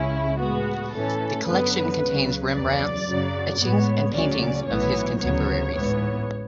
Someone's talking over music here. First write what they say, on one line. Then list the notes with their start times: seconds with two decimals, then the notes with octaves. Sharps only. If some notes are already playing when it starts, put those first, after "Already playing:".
The collection contains Rembrandt's etchings and paintings of his contemporaries.
Already playing: C#2 C#3 G#3 C#4 E4
0.39 A2 G#3 B3 F#4
0.92 A2 E3 A3 C#4 A4
1.46 F#2 D3 F#3 B3 B4
1.99 C#2 C#3 F#3
2.53 E2 C#3 F#3 D5
3.06 F#2 C#3 F#3
3.59 A2 G#3 B3 C#5
4.13 D2 C#3 F#3 C#4 D5
4.66 B1 A2 E3 B3 C#5
5.19 D2 C#3 F#3 B3 C#5
5.72 A1 G#2 E3 B3